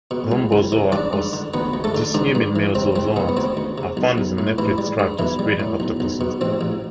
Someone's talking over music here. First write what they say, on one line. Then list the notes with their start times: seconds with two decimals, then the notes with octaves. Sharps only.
Rhombozoa, or dicyemid mesozoans, are found in the nephrid tracts of squid and octopuses.
0.11 B2
0.32 C2
0.52 C2
0.72 C3
0.92 G2 D4 D5
1.13 G2
1.33 D3
1.54 D2 B3 B4
1.74 D2
1.84 A3 A4
1.95 D3
2.14 G2 D3 D4
2.35 G2
2.56 E3
2.75 C2 C4
2.96 C2 C4
3.16 C3 B3
3.29 B3
3.37 D2 C4
3.57 D2
3.78 C3
3.97 B1
4.18 B1
4.38 A2
4.58 A1 E3 E4
4.78 G3
5.00 G2
5.19 B1 E3 E4
5.39 G3
5.60 A2
5.80 B1
6.00 B1
6.21 B2
6.41 A1 C4
6.61 A1